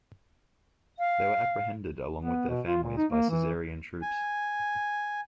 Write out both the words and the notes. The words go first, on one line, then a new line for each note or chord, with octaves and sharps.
They were apprehended along with their families by Caesarian troops.
F5
B3
B2
F4
A#2
D#4
A#3
E3
G#5